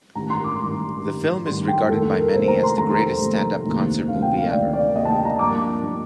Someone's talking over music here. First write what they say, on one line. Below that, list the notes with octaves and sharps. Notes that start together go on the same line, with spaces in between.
The film is regarded by many as the greatest stand-up concert movie ever.
A1 G2 D#3 G3 A#5
C6
D6
A1 G2 D#3 G3
A1 G2 D#3 G3
A1 G2 D#3 G3 C6
G5
F1 D#2 D#3 A3 A4
A#4
F1 D#2 D#3 A3 C5
A#5
C6
F1 D#2 D#3 A3 A#5
F1 D#2 D#3 A3
D2 C3 D#3 A#3
D2 C3 D#3 A#3 F5
G5
F5
D2 C3 D#3 A#3 D5
D5
D2 C3 D#3 A#3 D#5
A5
G5
A#5
G2 F3 A#3 D4 D6
F3 A#3 D4